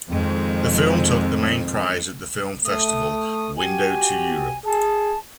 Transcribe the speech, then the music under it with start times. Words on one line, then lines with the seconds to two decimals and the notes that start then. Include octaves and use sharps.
The film took the main prize at the film festival "Window to Europe".
0.10 F2 D#3 G#3 C4
2.65 A3 D#6
3.57 F#4 G4 G#5
4.65 G#4 A5